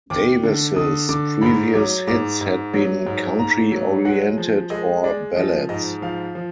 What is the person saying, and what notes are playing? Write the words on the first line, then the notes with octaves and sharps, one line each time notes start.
Davis's previous hits had been country-oriented or ballads.
D#2 D6
D3
D3 D#6
D3 D6
G#2 B5
F#3 D6
G#2 D6
G#2
F#3
G#2
G#2 A#5
F#3
G#3 F#5
F3
G#3 D#5
G#3 D5
F3 D#5
G#2 D#5
F3 F5
F3